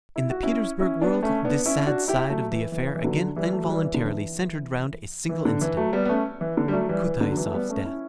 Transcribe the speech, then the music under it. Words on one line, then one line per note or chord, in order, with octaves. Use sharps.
In the Petersburg world this sad side of the affair again involuntarily centered round a single incident: Kutaysov's death.
E4
F#4
C#4 E4
C#4 E4
B3 D4
A3 C#4
B3 D4
C#4 E4
D4 F#4
E4 G4
F#3 A3
E3
E3
E3
D3 F#3
E3 G3
F#3 A3
F#3
E3 G3
E3
D3
E3
E3
D3
E3
F#3 A3
G3 B3
B3
A3 C#4
E3
D3
G3
F#3 A3
E3 G3
E3
D3
F#3
E3
A3
G3 B3
A3 C#4
C#4 E4